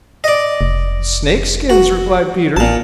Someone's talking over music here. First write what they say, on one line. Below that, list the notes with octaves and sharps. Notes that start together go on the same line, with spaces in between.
"Snake skins," replied Peter.
D5 D#5
F1
F#4
A1 A#2 A5